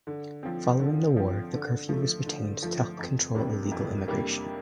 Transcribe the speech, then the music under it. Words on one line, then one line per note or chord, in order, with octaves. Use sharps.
Following the war, the curfew was retained to help control illegal immigration.
D3
F3 C4
D3
F3 C4
D3
F3 A3
D3
F3 A3
F2
C3 G3 A#3 D4
F2
C3 G3 A#3 D4